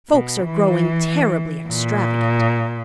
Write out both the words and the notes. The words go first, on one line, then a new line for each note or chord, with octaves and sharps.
"Folks are growing terribly extravagant."
B2
E3
A#2